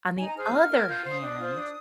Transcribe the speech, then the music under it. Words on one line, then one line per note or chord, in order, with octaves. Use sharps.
On the other hand,
D#4 G#5
A#5
G#4 C5 F6
G6
D#4 F6
A#4
G#6
F4 G6
C5
D#6
D4
F4 C5
D4